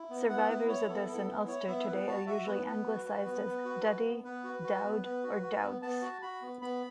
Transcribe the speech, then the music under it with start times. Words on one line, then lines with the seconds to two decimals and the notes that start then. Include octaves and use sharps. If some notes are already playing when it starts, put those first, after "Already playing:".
Survivors of this in Ulster today are usually anglicised as Duddy, Dowd or Dowds.
Already playing: E4
0.10 B3
0.29 B3 F#5
0.49 E4 B4
0.69 E4 C#5
0.88 B3 A4
1.08 B3 A4
1.28 E4
1.48 E4 C#5
1.67 B3 E5
1.87 B3 B4
2.07 F#4 A5
2.26 F#4 E5
2.46 B3 B4
2.66 B3 B4
2.86 F#4
3.06 F#4
3.25 B3
3.46 B3
3.65 F#4
3.85 F#4
4.05 B3
4.24 B3 B4
4.44 F#4
4.63 F#4
4.84 B3
5.03 B3
5.23 F#4
5.43 F#4
5.63 B3
5.82 B3 A5
6.02 F#4
6.22 F#4 B5
6.42 B3
6.62 B3 B5